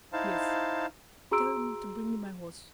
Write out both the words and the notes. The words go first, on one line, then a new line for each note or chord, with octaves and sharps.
"Yes, tell them to bring me my horse."
D#4 E4 C5 F5 A5
F#4 G#4 A#5 C6 E6 D7